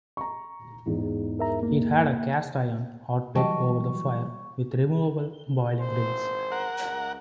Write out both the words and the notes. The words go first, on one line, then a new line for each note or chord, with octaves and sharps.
It had a cast-iron hotplate over the fire with removable boiling rings.
A#5 C#6
E2 G#2
A#4 E5 A#5
A#3
E3 F#3 G3 D#5 G5 A5 C#6
G#1 E3 C5
A#4 F#5
C#2